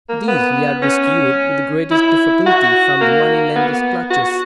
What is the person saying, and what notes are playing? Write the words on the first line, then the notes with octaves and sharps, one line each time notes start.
These he had rescued with the greatest difficulty from the money-lenders' clutches.
A#3
B3
C#4
E4
F#4
A#3
B3
F#4